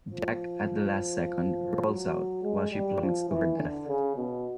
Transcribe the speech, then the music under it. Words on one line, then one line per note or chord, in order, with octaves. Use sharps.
Jack, at the last second, rolls out, while she plummets to her death.
F3
F#3
G#3
G3
F3
E3
D3
C#3
B2